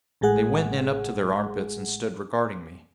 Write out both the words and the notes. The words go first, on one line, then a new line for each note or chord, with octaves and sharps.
They went in up to their armpits and stood regarding me.
A1 A2 G#3 G#4 F#5